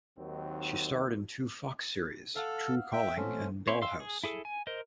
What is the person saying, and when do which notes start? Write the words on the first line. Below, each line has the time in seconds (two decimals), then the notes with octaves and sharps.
She starred in two Fox series, "Tru Calling" and "Dollhouse".
0.18 D#2 D#3 F#3 C4
2.36 A4 F5 F#5 E6
2.93 E5 G5
3.17 A3 C4 C#4
3.68 C4 E4 C5 C#5
3.82 F5 C6 E6
4.00 G#4
4.24 E4 G#4 A4
4.45 G#5
4.67 A#4 C5 D#5